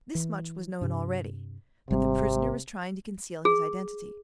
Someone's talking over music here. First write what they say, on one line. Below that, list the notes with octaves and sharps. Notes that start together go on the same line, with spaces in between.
This much was known already; that the prisoner was trying to conceal his identity.
E3
G2 C3
G#1 C3 G3 C4
G#4